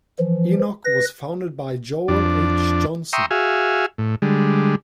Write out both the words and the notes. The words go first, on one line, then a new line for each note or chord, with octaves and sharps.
Enoch was founded by Joel H. Johnson.
E3 F3
B4 A#6
F2 D4
E5 G5 A#5 C6 C#6 D#6
F#4 G#4 E5 F5 G#5
A2
D3 G3 G#3